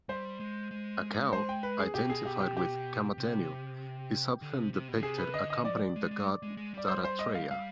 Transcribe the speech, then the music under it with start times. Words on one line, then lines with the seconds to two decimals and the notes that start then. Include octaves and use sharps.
A cow, identified with Kamadhenu, is often depicted accompanying the god Dattatreya.
0.09 G3 C5
0.40 G#3
0.71 G#3
1.33 C5
1.49 G5
1.63 B4
1.79 G#4
1.94 B2 G4
2.10 G#4
2.25 G4
2.40 G4
2.57 G4
3.18 C3
4.42 D3
4.57 C3
4.73 C3
4.88 B2
4.97 D3
5.03 C3 G#4
5.18 B4
5.34 D3 D#5
5.50 D#5
5.65 F3 D5
5.96 G#3
6.11 G#3
6.43 G#3
6.57 G#3
6.74 G3 D5
6.88 C5
7.04 C5
7.19 D#5
7.35 F5
7.51 G3 F5